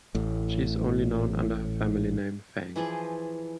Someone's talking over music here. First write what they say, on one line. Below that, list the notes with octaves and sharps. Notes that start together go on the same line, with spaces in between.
She is only known under her family name Fang.
A1 A2
E3 F3 G#4 D5